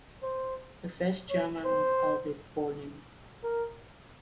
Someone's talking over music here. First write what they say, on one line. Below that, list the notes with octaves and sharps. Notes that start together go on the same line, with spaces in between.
The first chairman was Albert Ballin.
C5
C#5
C5
A#4